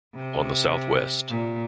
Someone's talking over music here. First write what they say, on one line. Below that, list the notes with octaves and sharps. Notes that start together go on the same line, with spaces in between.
On the Southwest.
C3
A#2